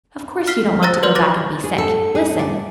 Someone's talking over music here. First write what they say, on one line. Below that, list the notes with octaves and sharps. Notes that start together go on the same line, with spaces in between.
Of course you don't want to go back an' be sick! Listen!
F6 B6 C7 G7
C5 A#5 E6 F#6 A6 A#6
B4 D5 C6 F6 G6
D6 F#6 A6 A#6 F#7
G#4
A4
G#4
D5